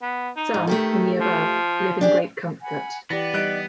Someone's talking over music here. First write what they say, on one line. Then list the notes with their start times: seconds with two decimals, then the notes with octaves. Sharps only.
Some - in the Above - live in great comfort.
0.02 B3
0.36 D#4
0.54 G#2
0.67 D#3 A3 G4 A4
1.20 F3
2.01 D4 G4 G#4
2.62 F#5 G#5 B5
3.10 E3 B3 G4 D5 A6 A#6 C#7
3.34 G3 D#4 F#6 D7